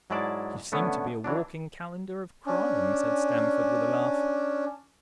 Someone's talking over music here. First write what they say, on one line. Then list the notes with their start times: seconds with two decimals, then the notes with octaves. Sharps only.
"You seem to be a walking calendar of crime," said Stamford with a laugh.
0.10 G#2 F#3 G#3 E4 D5 A5
0.72 D3 A3 B3 C#4 A4
1.24 E3 F#3 D4
2.46 C#4 D4